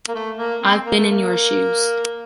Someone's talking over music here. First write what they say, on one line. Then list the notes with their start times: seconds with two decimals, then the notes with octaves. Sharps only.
I’ve been in your shoes.
0.09 A#3
0.14 A3
0.37 A#3
0.61 C4
0.85 A#3
0.97 A3
1.11 A#3